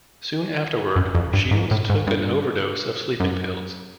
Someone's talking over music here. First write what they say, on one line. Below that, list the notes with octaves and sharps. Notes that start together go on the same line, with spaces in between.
Soon afterward, Shields took an overdose of sleeping pills.
F#2
F2
G2
G#2
A2
G#2
G2
F#2